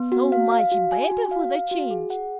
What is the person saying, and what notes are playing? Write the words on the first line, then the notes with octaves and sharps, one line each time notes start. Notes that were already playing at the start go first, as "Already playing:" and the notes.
So much better for the change!
Already playing: B3
F#4
F5
F5
F#4
G#5
F#4
F5
F5
F#4
G#4
F#5